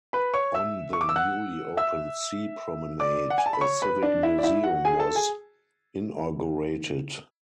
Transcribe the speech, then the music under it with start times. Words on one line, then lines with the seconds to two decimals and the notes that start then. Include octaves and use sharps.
On the newly opened sea promenade a Civic Museum was inaugurated.
0.13 B4 B5
0.34 C#5 C#6
0.54 E5 E6
0.93 C#6
1.01 D6
1.09 E6
1.16 F#5 F#6
1.77 E5 E6
3.00 D5 D6
3.30 F#5
3.38 G#5
3.46 A5
3.53 B5
3.61 C#5 C#6
3.82 B4 B5
4.03 D4 D5
4.23 E4 E5
4.39 D5
4.43 E4 E5
4.64 F#4 F#5
4.85 G#4 G#5
4.99 A4 A5
5.15 G#4 G#5